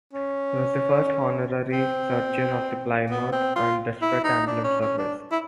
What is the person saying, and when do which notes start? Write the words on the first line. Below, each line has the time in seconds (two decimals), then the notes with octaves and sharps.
He was the first honorary surgeon of the Plymouth and District Ambulance Service.
0.13 C#4
1.72 C4
3.10 B3
3.32 C4
3.56 F4
4.02 E4
4.24 D#4
4.47 D4
4.64 C#4
4.81 C#4
4.98 D4
5.32 E4